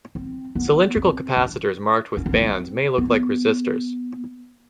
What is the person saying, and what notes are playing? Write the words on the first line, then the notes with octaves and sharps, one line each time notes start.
Cylindrical capacitors marked with bands may look like resistors.
C4
B3
C4
C#4
C#4
C4
B3
C4
B3